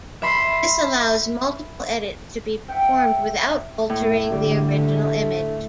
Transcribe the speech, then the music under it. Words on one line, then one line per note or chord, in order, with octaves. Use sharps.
This allows multiple edits to be performed without altering the original image.
E5 B5 C6
E5 F#5 G5
A2
D3 G3
A3